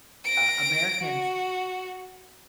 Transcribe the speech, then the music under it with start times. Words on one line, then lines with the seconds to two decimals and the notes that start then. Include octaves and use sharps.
uh, Americans
0.25 A#6 D7
1.00 F#4